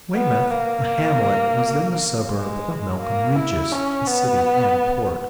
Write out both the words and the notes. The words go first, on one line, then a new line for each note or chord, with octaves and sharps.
Weymouth, a hamlet, was then the suburb of Melcombe Regis, a city and port.
B3
A#3
G#3
A#3
E4
C#4
B3